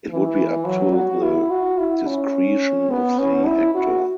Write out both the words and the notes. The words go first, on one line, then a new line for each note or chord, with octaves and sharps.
It would be up to the discretion of the actor.
E3
F#3
F#4
E4
F#4
E4
C#4
B3
C#4
E4
F#4